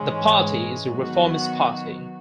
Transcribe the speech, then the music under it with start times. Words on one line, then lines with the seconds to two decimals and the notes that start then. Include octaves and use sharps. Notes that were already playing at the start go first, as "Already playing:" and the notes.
The party is a reformist party.
Already playing: G#2 E3 G#3 C#4
0.87 D#3 F#3 B3 F#4